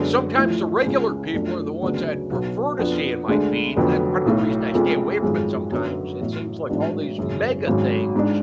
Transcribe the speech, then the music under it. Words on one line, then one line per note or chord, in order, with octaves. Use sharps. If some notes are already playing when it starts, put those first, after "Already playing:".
sometimes the regular people are the ones I'd prefer to see in my feed- that's part of the reason I stay away from it sometimes- it seems like all these mega things
Already playing: F#2 D3 G#3 B3 D4
A1 A2 F3
C#2 C#3 G#3 C#4
F#2 F3 A3 D4
D2 C#3 F#3 B3 D4
B1 B2 F#3
F2 F3 B3 D4
D2 D3 G#3 D4
F1 F2 D3 F#3 B3
B1 A2 F#3
F1 F2 F3 G#3 C#4
G#1 F#2 F3 G#3
F#2 D3 F#3 B3
A1 A2 F#3
A1 G#2 F#3 B3 D4
G#1 F#2 C#3
G#1 G#2 F#3 C#4
G#2 G#3 D4